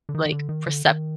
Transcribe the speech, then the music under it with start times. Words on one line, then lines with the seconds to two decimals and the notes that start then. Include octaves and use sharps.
r like, percept
0.09 D3
0.15 D#3
0.26 D#3
0.32 D3
0.49 D#3
0.66 D3
0.85 D#3